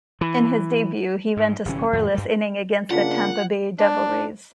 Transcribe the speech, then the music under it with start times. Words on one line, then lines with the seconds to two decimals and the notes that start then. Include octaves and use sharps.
In his debut, he went a scoreless inning against the Tampa Bay Devil Rays.
0.21 E3
1.37 G#2
1.65 G1 C3 E3 C#4
1.93 F2 A2 D#3
2.14 G2 G3
2.91 C#3 A#3 D4 F4 F5 F#5
3.79 D4